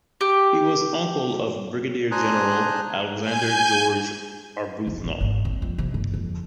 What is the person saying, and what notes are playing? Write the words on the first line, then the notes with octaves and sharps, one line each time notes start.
He was uncle of Brigadier-general Alexander George Arbuthnot.
G4
D4 C5 G#5 A#5 D#6 F#6
G#5 G6
F1
F#1
G#1
C4
F2
C3
G1
F2